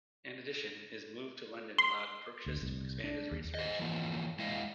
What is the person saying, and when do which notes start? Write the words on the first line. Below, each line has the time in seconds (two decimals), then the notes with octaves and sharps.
In addition, his move to London allowed Purchas to expand his research.
1.78 C6
2.46 D2
2.62 C2
3.04 D4
3.31 D#2
3.55 C5 D#5
3.79 E3 F3 A#3 E4
4.39 G#3 E4 D#5 F5